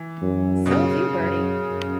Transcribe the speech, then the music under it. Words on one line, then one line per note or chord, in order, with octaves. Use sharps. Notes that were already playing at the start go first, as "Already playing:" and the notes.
So have you, Bertie.
Already playing: E3
F#2
B2
C#3
F#2
F#2